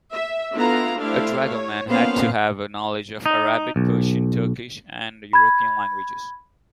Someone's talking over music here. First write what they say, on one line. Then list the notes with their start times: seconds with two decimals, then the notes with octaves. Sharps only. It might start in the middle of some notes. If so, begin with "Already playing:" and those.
A dragoman had to have a knowledge of Arabic, Persian, Turkish, and European languages.
0.12 E5
0.53 D3 B3 E4 F4 F5 A#5
0.98 A3 D4 E4 G4 C5 F5
1.46 C#5
1.89 F3 A#3 B3 C#4 C5 F5
3.26 D#4
3.76 B1
5.33 B5 G#6